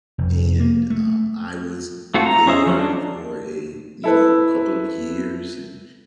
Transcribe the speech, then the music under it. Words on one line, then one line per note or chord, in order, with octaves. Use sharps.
and, um, I was there for a, you know, couple of years, and,
F1
A#3
A3
A3 C4 F4 F#4 A4
A#5
C#4 G#4 C5 D#5 E5
F3 F#3 C#4
D4
E4 A4 B4